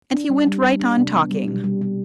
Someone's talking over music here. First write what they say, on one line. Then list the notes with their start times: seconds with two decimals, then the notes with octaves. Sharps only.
And he went right on talking.
0.12 D4
0.30 G3
0.46 G3
0.63 G3
0.80 D4
0.97 C3
1.14 B3
1.31 G3
1.47 B2
1.64 G3
1.82 G3